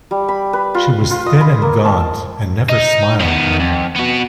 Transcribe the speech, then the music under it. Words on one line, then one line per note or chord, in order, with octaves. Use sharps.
She was thin and gaunt, and never smiled, now.
G3
B5
B4
F4
F4
D#5
B5
A#3
A5
D#4
D#3 B3
F2
B3 F#4